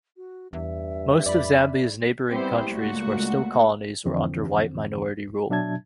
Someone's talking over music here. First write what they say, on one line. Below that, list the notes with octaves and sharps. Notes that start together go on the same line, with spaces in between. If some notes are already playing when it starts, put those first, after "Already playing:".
Most of Zambia's neighbouring countries were still colonies or under white minority rule.
F#4
E2 G2 E5
F2 D5 B5
G3 B3 C4 E4 G4 C5
C#2 A#2 A3 F#4
F2 D3 E3 C4
B2 F#3 D4 E5 A5 G#6